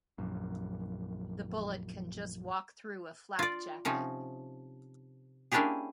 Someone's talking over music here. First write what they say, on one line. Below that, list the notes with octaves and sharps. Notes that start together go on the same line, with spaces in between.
The bullet can just walk through a flak jacket.
A#1 F#2
F4 D5
C3 F3 C#4 D#4
A#3 C#4 D4 E4 G4 G#4